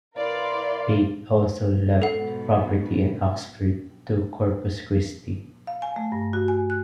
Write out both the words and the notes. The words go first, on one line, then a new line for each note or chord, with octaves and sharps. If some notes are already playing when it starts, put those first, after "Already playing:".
Pate also left property in Oxford to Corpus Christi.
E4 A#4 B4 D5 F5 C6
G#2 B2 A4 F#5
F5
G#5
A3
G2
F#4
G#5
F#6